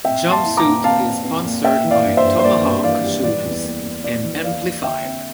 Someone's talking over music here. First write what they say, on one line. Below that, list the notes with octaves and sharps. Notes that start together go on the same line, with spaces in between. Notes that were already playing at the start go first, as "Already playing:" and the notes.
Jumpsuit is sponsored by Tomahawk Shoes and Amplifiers.
C4 E5 G5
A#2
A5 C6
E4
A#5 D6
A#2
C4 F5 A5
C4
C4
A#2
A#3 E5 G5
E3
D5 F5
G2
C5 E5
G2
C5
A#3 D5
G2
E3 D5 F5
G3
E3 D5
E2
A#3
E2
A#3 D5
E3
E3 D5 F5
A#3
D3 E5 G5
C4